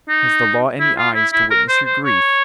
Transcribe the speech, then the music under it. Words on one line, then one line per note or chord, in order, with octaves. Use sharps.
Has the law any eyes to witness your grief?
D#4
E4
F4
E4
E4
A#4
C5
C5
C#5